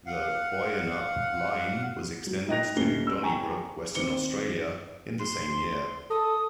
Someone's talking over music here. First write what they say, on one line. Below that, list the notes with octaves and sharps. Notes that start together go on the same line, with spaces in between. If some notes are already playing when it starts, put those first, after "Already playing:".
The Boyanup line was extended to Donnybrook, Western Australia in the same year.
F5 F#5
F#3
D#4 D#5 G5 F#6 A#6 F7
D#1 A3 C#4 C7 G7
E6
G5 G#5 A#5 C#6
D#3 C4 D6 C#7 G7
C6
A4 D#6